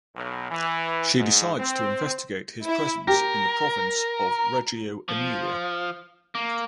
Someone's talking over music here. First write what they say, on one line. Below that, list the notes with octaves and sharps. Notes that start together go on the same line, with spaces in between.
She decides to investigate his presence in the province of Reggio Emilia.
B1
E3
G#2
C4
E4
G4 A#4
F3
A#3